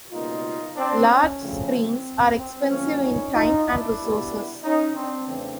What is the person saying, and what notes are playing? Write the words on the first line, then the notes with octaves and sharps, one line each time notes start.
Large screens are expensive in time and resources.
C#2 B2 G3 A#3 D#4 F4
C4 D4
C#4
D2 C#3 F3 A3 C4
C4
C4
F#2 D3 F3 A#3 C#4
C#4 D#4
D#4 F4
D4 E4
B2 G3 B3
C#4 D#4
C4 D4
E2 C#3 E3 A3 C4